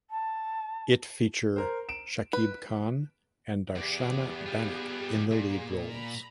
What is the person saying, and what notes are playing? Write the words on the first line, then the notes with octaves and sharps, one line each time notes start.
It feature Shakib Khan and Darshana Banik in the lead roles.
A5
A#4 C5
D7 E7
B4
E2 B3 G4 G#4 D5
G3 F4
A#2
A#5 B5